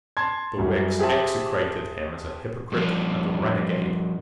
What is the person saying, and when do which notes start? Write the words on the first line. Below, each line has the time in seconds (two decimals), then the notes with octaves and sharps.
The Whigs execrated him as a hypocrite and a renegade.
0.17 A5 C6 G#6
0.58 F#2 F#3 G3
0.99 G4 G#4 C5 E5 A5
2.72 G2 F3